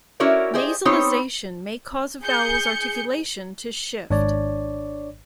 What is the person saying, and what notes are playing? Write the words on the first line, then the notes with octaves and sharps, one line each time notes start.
Nasalization may cause a vowel's articulation to shift.
C#4 E4 F#4 A#4 C#5 D5
G4 G#4 C5 D5 D#5
B3 C4 D#4 G4 C5 C#5
G#4 G6 C#7
G#1 G#2 D4 C#5 D5